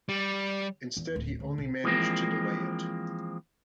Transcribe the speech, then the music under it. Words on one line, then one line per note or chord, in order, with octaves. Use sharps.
Instead he only managed to delay it.
G3
E2
D1
D2
B1
E3 F3 G#3 A#3 C4